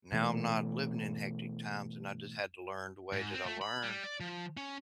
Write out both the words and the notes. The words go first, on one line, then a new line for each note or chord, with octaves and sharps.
now I'm not living in hectic times and I just had to learn the way that I learned
B2 E3 A3
G#2
C4
A3
B5
G3
D5
F3
C#4